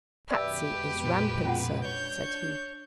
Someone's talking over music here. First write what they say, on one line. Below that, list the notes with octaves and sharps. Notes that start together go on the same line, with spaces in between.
"Patsy is rampant, sir," said he.
F#2 B2 D#3 G4 B4 D5 E5 E6
F2 B2 G#3
A#2
C#4 F4 F#5
D4 C#5 G6